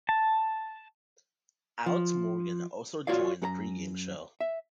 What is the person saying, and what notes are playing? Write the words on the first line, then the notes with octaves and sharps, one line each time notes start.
Alex Morgan also joined the pregame show.
A5
F3
F4 F#4 C#5 D5 F5
F#2 A4 A#5
E5